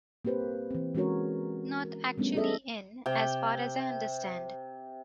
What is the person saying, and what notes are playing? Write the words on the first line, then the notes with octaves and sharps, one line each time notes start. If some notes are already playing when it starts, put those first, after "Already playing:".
Not actually in, as far as I understand.
A#3 C4 G4 B4 C5
E3 C4
E3 G#3 C#4 F#4 A#4 C#5
A#4
G3 A3 B3 C#4 D4
E4 F4 G#4 A4 D#5 E5
C3 G5